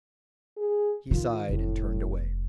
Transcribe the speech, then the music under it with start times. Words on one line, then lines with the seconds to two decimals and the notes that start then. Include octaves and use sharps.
He sighed and turned away.
0.57 G#4
1.11 D#3 F4
1.49 F1 A2